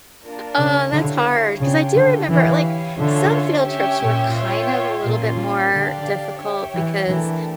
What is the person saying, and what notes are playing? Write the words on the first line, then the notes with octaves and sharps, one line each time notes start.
Oh, that's hard, 'cause I do remember, like, some field trips were kind of a little bit more difficult because
A#3 D4 F4 A#4
C#3
D3 E4 G4 C#5 F5
C#3 D4 F4 C#5 G5
D3
E3 E4 G4 C#5 F5
D3 C#4 F4 A4 C#5 E5
C#4 G4 C#5 E5 G5
A#2
F4 C#5 E5 G5
A#2 A#3 C#4 F4
D3 D4 G4 D5 F5
G4 C#5 E5 G5
E3
E3 A3 D4 G4 A#4